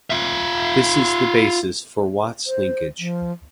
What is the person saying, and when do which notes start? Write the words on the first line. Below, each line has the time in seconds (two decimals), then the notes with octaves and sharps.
This is the basis for Watt's linkage.
0.10 F4 E5
2.47 C5
2.99 F3